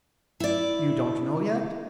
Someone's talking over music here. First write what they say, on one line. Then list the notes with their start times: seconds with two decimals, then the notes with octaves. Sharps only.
"You don't know yet?"
0.40 E4 D5